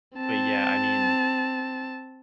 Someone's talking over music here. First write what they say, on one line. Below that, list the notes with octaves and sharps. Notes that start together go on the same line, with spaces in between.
But, yeah, I mean,
C4 A5